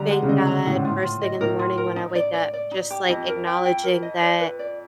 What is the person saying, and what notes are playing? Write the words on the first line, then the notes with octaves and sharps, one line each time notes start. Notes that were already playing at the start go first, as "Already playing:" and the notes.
thank God first thing in the morning when I wake up, just like, acknowledging that,
Already playing: D3 G3 A#5
G#3 F#5
C#3
D3 D#5
C#3 A#5
A2 F#5
G#2
A2 F4
F4
D#5
A2 A#4
F4
A#4
D#4
D5
D5
D5
D#4
G4
F2 D#5
A#4
G5
G5
A#4
D#5
D5
B4
D5